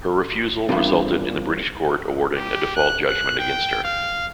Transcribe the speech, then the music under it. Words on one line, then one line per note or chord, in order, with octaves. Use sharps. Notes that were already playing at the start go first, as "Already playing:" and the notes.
Her refusal resulted in the British Court awarding a default judgment against her.
E2 G2 C4 F4 A#4
G4
F#6
F#6
G5
F5